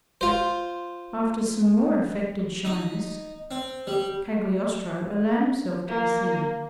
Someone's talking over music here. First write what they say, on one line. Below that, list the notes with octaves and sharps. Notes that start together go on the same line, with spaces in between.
After some more affected shyness, Cagliostro allowed himself to be seen.
F4 C5
D#4
C4
G3
A#3